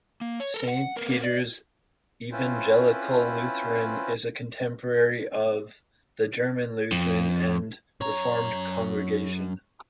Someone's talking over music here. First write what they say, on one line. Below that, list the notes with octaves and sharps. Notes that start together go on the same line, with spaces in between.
Saint Peter's Evangelical Lutheran is a contemporary of the "German Lutheran and Reformed Congregation".
A#3
C#5
A4 A#4
F#5
B3 A#4
D5
C4 C#4 E4 F4 B4 C5
F2
F#2 C#5 A#5